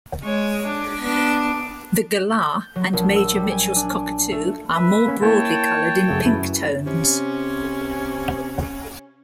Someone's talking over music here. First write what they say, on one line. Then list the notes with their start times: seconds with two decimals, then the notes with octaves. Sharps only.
The galah and Major Mitchell's cockatoo are more broadly coloured in pink tones.
0.23 G#3 C#5
0.67 D4
1.03 B3 D4
2.60 G6
2.76 F#3
2.93 A#1
3.16 E6
3.35 G3
3.50 G#5
3.76 D4
4.32 A3
4.76 B4 E5
5.08 A#3 C#4
5.22 A#3 E4 C#5 G5 A5
6.08 F#2 C#3 A3
6.25 F#2 E4 B4
6.86 C3 C#4